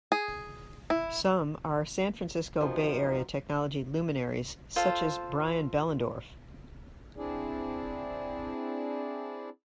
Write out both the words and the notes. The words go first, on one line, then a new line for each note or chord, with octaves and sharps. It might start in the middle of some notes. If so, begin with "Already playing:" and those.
Some are San Francisco Bay Area technology luminaries, such as Brian Behlendorf.
G#4
E4
F#2 C3 D#3 F3 B3 D#4
F4 A4 C5
C4 D4 E4 G#4 D5